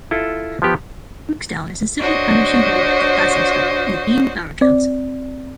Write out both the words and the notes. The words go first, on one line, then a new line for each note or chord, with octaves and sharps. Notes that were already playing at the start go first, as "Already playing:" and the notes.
Rooksdown is a civil parish and ward of Basingstoke and Deane borough council.
E4 F4 A4
F3 B3 G4
D4 F#4 C5 C#5 D#5
C4 D5